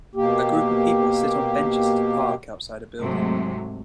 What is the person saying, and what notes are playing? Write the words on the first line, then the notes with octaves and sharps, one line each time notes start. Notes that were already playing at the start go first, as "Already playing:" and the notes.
A group of people sit on benches at a park outside a building.
B2 A#3 G4
G#2 C3 F#3 A3